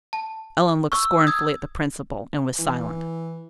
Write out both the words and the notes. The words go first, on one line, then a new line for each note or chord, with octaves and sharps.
Eleanor looked scornfully at the principal, and was silent.
A5
C#6 E6
D#6 G#6
E3